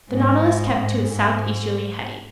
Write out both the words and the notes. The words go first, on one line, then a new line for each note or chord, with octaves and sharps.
The Nautilus kept to its southeasterly heading.
G#2
G#2
G#2